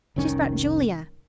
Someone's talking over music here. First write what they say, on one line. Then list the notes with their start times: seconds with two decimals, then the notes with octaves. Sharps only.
She's brought Julia!
0.16 F1 C2 D#3 C#4